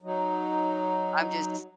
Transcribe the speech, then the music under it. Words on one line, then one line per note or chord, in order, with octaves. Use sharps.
I'm just
F#3 D#4